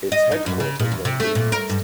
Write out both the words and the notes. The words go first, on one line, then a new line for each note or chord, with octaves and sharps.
Its headquarters are in Budapest.
D#5
D#4
F#2
C#3
A#2
E2
C3
A3
A#2
A#4
G2